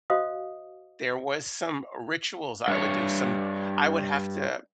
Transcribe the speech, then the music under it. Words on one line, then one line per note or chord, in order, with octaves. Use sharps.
There was some rituals I would do, some I would have to
F#4 C5 D#5 F5 D#6
G2 C#5